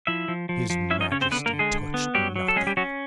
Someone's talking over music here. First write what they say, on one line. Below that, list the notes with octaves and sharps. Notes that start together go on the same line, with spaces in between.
His Majesty touched nothing.
F3 E4 E5
F3
F3
F3
C#4 E4 E5
D#4 D#5
C#3 C#4 C#5
C4 C5
D3 B3 B4
A#3 A#4
D3
G#3 G#4
D3
B3
F#3 G3 G4
F#3
A4
G#3 C#4 G#4
G3 G4
F#3 C#4 F#4